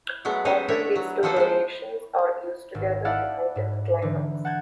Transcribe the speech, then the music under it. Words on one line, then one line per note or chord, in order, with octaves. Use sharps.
Often these two variations are used together to heighten a climax.
F#3 G#3 A3 B3
B3 C#4 D#4 C5
A3 D4 E4 C#5 E5
F#3
F3 F#3 B3 A4 B4 C5
G#3 C5
G#1
B3 E4 D5 F5 F#5 A5
G#2
D3 E3 D#4
F#5 A5 G6 G#6